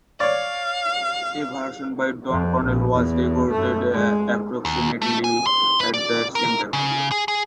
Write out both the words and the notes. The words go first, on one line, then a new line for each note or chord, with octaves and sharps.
A version by Don Cornell was recorded approximately at the same time.
C#5 D5 F5
F2
A#1
E2
F#2 A3
G#3
D#2
A3
G#5
C6
B4
D5
A#4
C#3
G#4
G#4